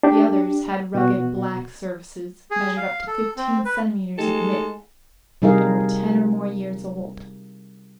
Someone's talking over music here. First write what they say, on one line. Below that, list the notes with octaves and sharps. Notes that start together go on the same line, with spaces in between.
The others had rugged black surfaces, measured up to fifteen centimeters in width, and were ten or more years old.
D4 G4
B2 F#4
G#4
F5
A4
C4
B4
G#3 A3 D#4 G4 A4
C3 G3 D#4 G#4 A#4 F5